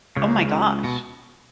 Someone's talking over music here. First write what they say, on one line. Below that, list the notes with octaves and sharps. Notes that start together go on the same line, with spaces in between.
Oh my gosh.
C#2 C#3
B2